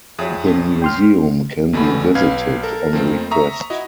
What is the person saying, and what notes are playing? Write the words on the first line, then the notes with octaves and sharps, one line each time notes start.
The museum can be visited on request.
F2 F#4 G#4 C#5 E5 D#6
B1 F2
G5 C6 F6
A1 E2 A3 F#4 B5
B1 B4 F5 G#6
A4 A#4
F2 A3 A#3 C4
E5 A#5 C#6 D#6
E4 F#4 D#5